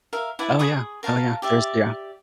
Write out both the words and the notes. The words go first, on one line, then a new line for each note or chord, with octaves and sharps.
Oh, yeah. Oh, yeah. There's Yeah.
A#4 E5 F5
E4 B4 D5 F#5
G#4 B5 C#6 D#6
A#4 F5 A5 C#6
G4 D5 E5